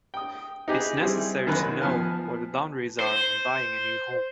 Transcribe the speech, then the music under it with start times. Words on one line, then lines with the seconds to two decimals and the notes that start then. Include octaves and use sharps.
It's necessary to know where the boundaries are when buying a new home.
0.14 G5 D#6
0.68 D#4 G4 G#4 B4
1.00 G3 C4 E4 G#4
1.47 F#2 D#3 B4
1.81 F3 B3 G#5 A5 F6
3.00 C5